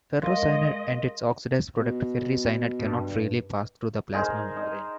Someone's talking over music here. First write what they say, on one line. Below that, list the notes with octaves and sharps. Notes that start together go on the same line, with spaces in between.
Ferrocyanide and its oxidized product ferricyanide cannot freely pass through the plasma membrane.
G#3 A#4 D#5 F5 C6
B2
G2
D#4 G#4 A#4 C5
D#4